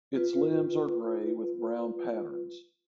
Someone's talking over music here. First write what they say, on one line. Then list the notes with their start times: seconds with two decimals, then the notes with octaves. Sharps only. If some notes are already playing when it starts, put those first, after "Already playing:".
Its limbs are gray with brown patterns.
0.15 F4 B4